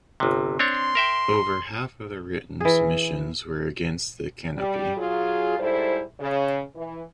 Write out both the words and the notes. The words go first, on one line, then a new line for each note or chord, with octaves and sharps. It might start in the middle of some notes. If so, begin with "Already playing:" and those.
Over half of the written submissions were against the canopy.
G1 C3
C4 D4 C#5 C6
A#4 E5 G5
E3 G#4
G3
F#3 F4 G#4
G#2 G3 E4 A4 C5
C#3
E3